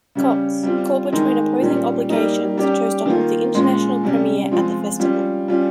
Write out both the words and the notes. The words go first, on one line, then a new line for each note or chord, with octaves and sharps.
Cox, caught between opposing obligations, chose to hold the international premiere at the festival.
C#3 G3 C#4
G3 C4 F4
D#3 G#3 D#4
A#2 G3 C#4
G3 A#3 D#4
G3 C#4 G4
D#3 A#3 F4
A#2 G#3 C#4 F4
C3 G3 C#4
F3 G#3 C4 F4
G3 C#4 F4
G3 C#4 F4